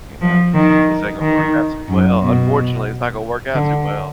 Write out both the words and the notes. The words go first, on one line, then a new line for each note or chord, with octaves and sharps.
you know, this ain't gonna work out too well. Unfortunately, it's not gonna work out too well."
F3
D#3
D#3
F#2
B2
D3